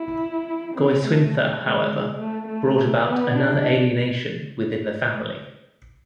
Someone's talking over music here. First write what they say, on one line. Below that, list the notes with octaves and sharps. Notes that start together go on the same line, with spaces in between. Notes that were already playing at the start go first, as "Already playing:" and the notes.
Goiswintha, however, brought about another alienation within the family.
Already playing: E4
C4
A3
G#3
A3
A3
B3
D4